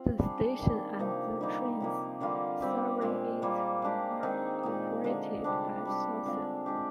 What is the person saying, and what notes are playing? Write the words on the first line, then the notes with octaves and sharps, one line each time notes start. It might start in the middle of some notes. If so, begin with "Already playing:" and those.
The station and the trains serving it are operated by Southern.
Already playing: C4 F4
G3 D4 G#4
D#3 G3 A#3 D4
C3 F3 A#3 D#4
D3 G3 A#3 D#4
C3 F3 A#3
D3 G3 A#3 F4
G3 C4 G4
A#2 G#3 C4 F4
G3 A#3 F4
G#3 D4 G4
D#3 G#3 C4 D#4
A#2 G#3 D#4
D3 G#3 D4 F4
C3 G3 D4
G3 D4 G4
D3 G#3 C4 F4
G#3 D4 G4